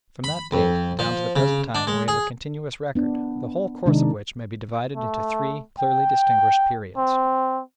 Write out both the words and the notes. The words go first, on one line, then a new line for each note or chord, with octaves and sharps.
From that date down to the present time we have a continuous record, the whole course of which may be divided into three clearly distinguished periods.
B5
F2
F3
C#3
D4
G#3
G#4
B3 D4
C3 D#3 G#3 D4 D#4
A3
G5
C4